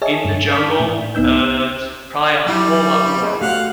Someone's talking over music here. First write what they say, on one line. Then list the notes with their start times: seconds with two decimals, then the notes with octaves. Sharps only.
in the jungle, uh, it's probably a whole lot more.
0.02 G#4 C#5 D#5 E5 G#5 A5
0.25 G2
0.51 D5 A5 D6 G6 B6
0.80 A2
1.15 C#2 B3 D#4 E6 G6
2.46 F#3 G3 E4
3.23 G#4 C5 D#5
3.41 A3 F#4 G4 F5 F#5